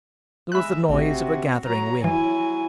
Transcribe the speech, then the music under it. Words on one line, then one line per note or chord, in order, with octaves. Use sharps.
There was the noise of a gathering wind.
G#3 E5 B5 F#6
A1 C3 C4 F#4
F#3 A#5
E3 F#3 E4 G#5